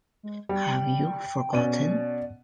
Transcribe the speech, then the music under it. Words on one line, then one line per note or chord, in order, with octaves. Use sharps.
Have You Forgotten?
G#3
G3 G5
B2 C#4 D5 D#7